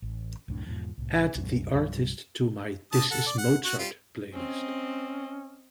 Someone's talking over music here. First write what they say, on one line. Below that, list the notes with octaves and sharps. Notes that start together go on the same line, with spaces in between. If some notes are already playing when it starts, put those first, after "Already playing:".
Add the artist to my This Is Mozart playlist.
A1
C2 F#2 A2 D4
E2 G#2 B2 F3
C2 A2
C2 F#2
C2 G2 F3 F#3
D3 A5 D#6
A4 F#5
D5
F#5
F#4 F#5
G3 F4
C4 C#4 D#5